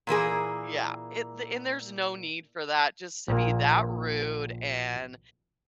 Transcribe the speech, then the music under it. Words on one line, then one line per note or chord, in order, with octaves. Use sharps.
Yeah, it the and there's no need for that just to be that rude and
A#2 E3 A#3 G#4
A#1 A#2 A#3